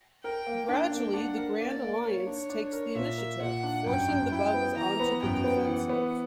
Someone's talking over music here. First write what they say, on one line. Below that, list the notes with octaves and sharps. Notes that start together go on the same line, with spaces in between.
Gradually, the Grand Alliance takes the initiative, forcing the Bugs onto the defensive.
A#4 G5
A#3
D4 G5
A#3
D4 F#5
A#4
A#3 D5
A#3
A#4 C#5
D4
C#5
D4
C#5
A#4
A#2 E5
A#4
A#2 F#5
D4
F#2 G5
F#2
E4 G5
B3
E3 A#5
B3
F#2 G5
B3
E3 F#5
B3